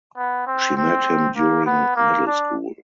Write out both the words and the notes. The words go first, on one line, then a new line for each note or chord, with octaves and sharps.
She met him during middle school.
B3
C4
C4
A#3
B3
A#3
D4